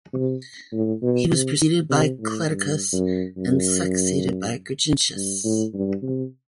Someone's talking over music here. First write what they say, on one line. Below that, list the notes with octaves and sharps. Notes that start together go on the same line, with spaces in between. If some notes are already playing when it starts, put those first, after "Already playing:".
He was preceded by Cledaucus and succeeded by Gurgintius.
C3
A2
B2
C3
C3
A2
G2
F#2
F#2
G2
A2
G2
C3